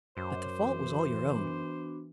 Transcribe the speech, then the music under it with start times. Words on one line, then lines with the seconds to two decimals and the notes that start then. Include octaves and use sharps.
But the fault was all your own.
0.17 F#2 F#4 C5 D6
0.60 E3
1.34 B3 D4 F#4